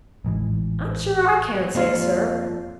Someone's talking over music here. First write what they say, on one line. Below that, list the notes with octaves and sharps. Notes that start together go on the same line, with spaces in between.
'I'm sure I can't say, sir.
A1 G#2 E3
F2 A#3 F4